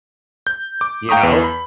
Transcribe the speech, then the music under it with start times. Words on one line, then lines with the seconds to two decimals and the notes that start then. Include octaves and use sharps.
you know,
0.47 G6
0.81 D6
1.09 F5 G5 A#5 C#6 D#6
1.23 E2 B4
1.44 B5